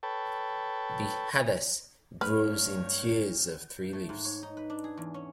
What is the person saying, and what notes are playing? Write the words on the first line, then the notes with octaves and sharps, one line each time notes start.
The "hadass" grows in tiers of three leaves.
A4 B4 C#5 G5 A5
G2 A3 B4 C#5 F6
A3
G#2
C#5
D#4
B4
D4
G#4
E2
C#4